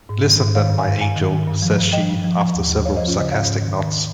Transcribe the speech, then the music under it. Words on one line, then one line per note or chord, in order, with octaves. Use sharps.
"Listen then, my angel," says she after several sarcastic nods.
G#2
D#3
G#2
D#3 C#5 F5
G2
F5 G#5
G2
G2 F5 G#5
D#3
D#3
G2
F3
G2
F3 D#5 G5
G2
F3
F3
D#2
D#2
D#2 C#5 F5
C5 D#5
F3
C#4 F4
C#3 C5 D#5
G#2 C#5 F5
G#2
D#3
D#3